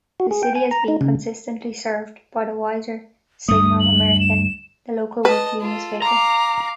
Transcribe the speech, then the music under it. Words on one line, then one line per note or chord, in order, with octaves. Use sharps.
The city has been consistently served by the Weiser Signal-American, the local weekly newspaper.
F#4
G#4
G5
G#5
A#5
D#4
C#3
D2 G2 A3 D#6
F#7
E7
B4 D#5 A5
F4 A4
F5 A#5 D6